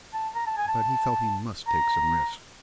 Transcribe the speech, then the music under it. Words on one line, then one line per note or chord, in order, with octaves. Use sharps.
But he felt he must take some risks.
A5
A#5
A5
G#5
A5
A#5